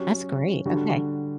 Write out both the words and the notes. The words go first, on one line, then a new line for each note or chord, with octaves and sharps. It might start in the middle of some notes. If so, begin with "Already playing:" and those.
That's great, okay.
Already playing: F#3 C#4 G4 C#5
D3 G3 D4 F#4